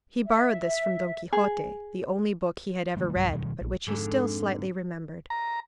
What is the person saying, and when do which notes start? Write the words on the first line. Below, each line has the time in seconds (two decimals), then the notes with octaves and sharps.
He borrowed this from "Don Quixote," the only book he had ever read, but which he still slightly remembered.
0.25 E5
1.33 G#4
2.97 D#3 G3 A3 A#3
3.15 B1 G2 G3
3.32 B2 D#3 F3 G3
3.61 A#1
3.87 F2 G#2 D3
5.30 A#5